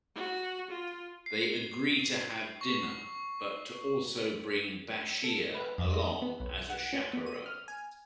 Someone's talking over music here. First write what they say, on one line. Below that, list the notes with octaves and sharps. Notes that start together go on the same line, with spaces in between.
They agree to have dinner, but to also bring Bashir along as a chaperone.
F#4
F4
C7
C#6
A4
B4
F2
D#5
B3
B1
F#5
C#4
B3
D#7
F6
G#5